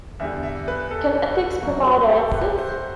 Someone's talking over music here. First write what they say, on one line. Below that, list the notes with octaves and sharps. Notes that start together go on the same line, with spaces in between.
Can Ethics Provide Answers?
E2 D3 G3 E5
E5
B4
A4
F#2 F#3 F#4
F#4
G4
A4
G4
B4
C5